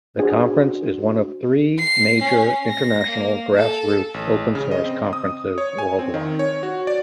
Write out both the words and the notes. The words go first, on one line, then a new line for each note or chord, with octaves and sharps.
The conference is one of three major, international, grass-roots open-source conferences worldwide.
D4 F#4 G#4 C5
C7
C#4
A#6
A#3
A4
A1
C#3
D#5
C4
D#6
C#5
G#5
C4
D#3
C#5
F#4
D5